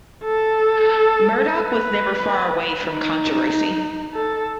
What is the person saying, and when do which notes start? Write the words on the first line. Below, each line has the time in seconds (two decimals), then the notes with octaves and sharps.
Murdoch was never far from controversy.
0.24 A4
1.54 B4
2.84 D#4
4.14 A4